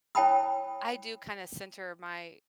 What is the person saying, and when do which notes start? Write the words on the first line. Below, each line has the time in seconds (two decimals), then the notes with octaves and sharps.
I do kinda center my
0.15 E4 C#5 G5 A5 B5 D#6